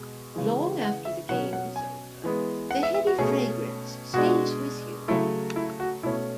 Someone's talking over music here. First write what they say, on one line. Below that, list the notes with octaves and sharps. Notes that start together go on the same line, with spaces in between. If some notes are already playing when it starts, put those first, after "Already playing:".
Long after the game is over, the heady fragrance stays with you.
Already playing: B2 G#3
C#3 E3 G#3
F#5
E5
B2 F#3 C#4 F#5
F#5
G#5
E3 G#3 B3
F#5
E5
E5
F#4
B2 A3 C#4 G#4
B2 G#3 D4 F#4
C#3 F#3 A3 E4
E4
F#4
B2 A3 C#4 E4